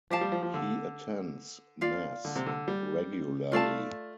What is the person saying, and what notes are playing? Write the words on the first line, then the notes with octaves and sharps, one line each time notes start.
He attends Mass regularly.
F3 G4 F5 A5
G3
F3
F3
D3
F4 D5 F5
D3
C3
D3
G3
A3 F4 D5 F5 A5